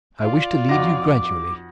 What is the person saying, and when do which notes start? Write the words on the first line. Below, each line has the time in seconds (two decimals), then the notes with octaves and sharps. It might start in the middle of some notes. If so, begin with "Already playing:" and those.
I wish to lead you gradually.
0.21 F4 D5
0.69 F2 D#4 F#4 F#5 D6 A#6